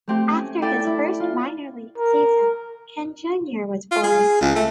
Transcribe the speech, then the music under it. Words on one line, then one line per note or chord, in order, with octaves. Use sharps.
After his first minor-league season, Ken Junior was born.
A3 C4 G4
C#4
E4 A4 D5 G5
E4
F4
A#4
F4
G#4
C#2
A3